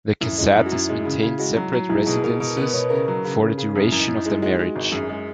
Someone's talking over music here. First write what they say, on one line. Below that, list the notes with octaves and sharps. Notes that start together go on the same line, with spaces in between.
The Casatis maintained separate residences for the duration of their marriage.
F#2 E4
G#3 D#4
F#2 E4
F#4
F#2
E4
G#3 E4
C#3
C#3 E4
G#3 F#4
F#3
F#3
B1 E4
G#4
B2
G#4
B2 A#4
B2 A#4
B3 B4
B2 C#5
C#3 A#4
F#3
C#3
C#3
C#3 G#4
F#2
F#2 E4
D#4
F#2 E4
D#4
G#3 E4
G#3 F#4
G#3
G#1
F#2 G#4
G#3